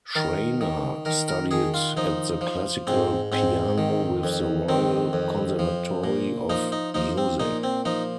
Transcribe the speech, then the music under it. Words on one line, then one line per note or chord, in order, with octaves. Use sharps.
Schraner studied at the classical piano with the Royal Conservatory of Music.
D#3 A#4
D#3
D#3 A#4
A#4
D#3 G#4
F4
F3 D#4
F3
G#2 C4
G#2 C4
D#3
F2
D#3 C4
F2
F3
A#2
F3 D#4
D#4
F3 D#4
C4
A#2 D#4
C4
F3 D#4